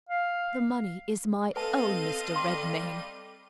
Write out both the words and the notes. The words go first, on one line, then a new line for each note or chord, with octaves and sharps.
"The money is my own, Mr. Redmain."
F5
C4 A4 B4 D#5 F5 A5 D#7
G3 C6